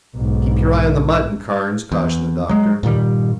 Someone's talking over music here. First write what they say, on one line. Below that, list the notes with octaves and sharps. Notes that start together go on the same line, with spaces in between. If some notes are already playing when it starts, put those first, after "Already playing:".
"Keep your eye on the mutton, Carnes," cautioned the doctor.
B1 G#2
E2
F#3 G#3
G2 A#2 D#3 G3